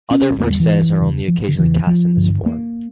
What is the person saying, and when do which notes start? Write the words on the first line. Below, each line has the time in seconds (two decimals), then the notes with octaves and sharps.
Other versets are only occasionally cast in this form.
0.11 C#4
0.40 E2 D3 A#3
0.50 G3
0.60 E3
0.99 E2 C#3
1.28 F3
1.48 D3
1.58 E2 C#3 E3
1.87 F3
2.17 G2 D3
2.46 A#3